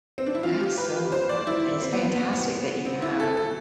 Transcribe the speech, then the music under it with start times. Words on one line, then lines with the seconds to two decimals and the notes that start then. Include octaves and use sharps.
that's so important, and it's fantastic that you have
0.18 C4
0.26 D4
0.35 E4
0.43 F4
0.60 G4
0.78 B4
1.12 C5
1.29 D5
1.47 E4
1.82 C4
1.93 B3
2.04 B3
2.16 B3
2.33 B3
2.85 C4
3.02 E4
3.20 A4
3.37 A4